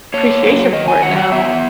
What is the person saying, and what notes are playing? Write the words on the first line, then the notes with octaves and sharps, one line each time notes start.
appreciation for it now.
A#3 C#5
F#3
D#3 D#5
G#5
F#3 F#5
F#5
B3 E5